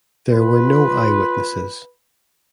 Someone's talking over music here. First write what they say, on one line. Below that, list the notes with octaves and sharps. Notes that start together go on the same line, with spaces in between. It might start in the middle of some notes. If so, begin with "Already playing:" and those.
There were no eyewitnesses.
F4 B4